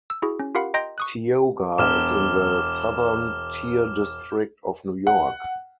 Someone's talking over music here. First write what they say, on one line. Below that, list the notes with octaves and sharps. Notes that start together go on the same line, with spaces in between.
Tioga is in the Southern Tier District of New York.
E6
E4 F#4 G#4
C#4
F4 G4 A#4 F5 F#5 B5
D#5 G5 A#5 C6 G6 A#6
C#6 D#6 F#6
E1 D6 F6 E7
F#5